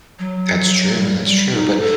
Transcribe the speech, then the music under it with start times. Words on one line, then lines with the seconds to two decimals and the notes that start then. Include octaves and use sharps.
That’s true, that's true, but
0.19 F#3
0.94 A3
0.99 G3
1.16 F#3
1.26 G3
1.54 D#4
1.80 A4